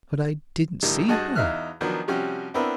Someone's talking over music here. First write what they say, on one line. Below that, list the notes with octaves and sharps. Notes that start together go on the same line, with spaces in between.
"But I didn't see her."
A2 D3 D#3 G3
G2 F#4 G#4 D#5 G#5 A5
E2 D#4 E5 F5 F6 F#6
D#3 F3 F#3 B3 D4
C3 F3 G3 C#4 F#4 G4
B3 C4 D4 E4 A#4 B4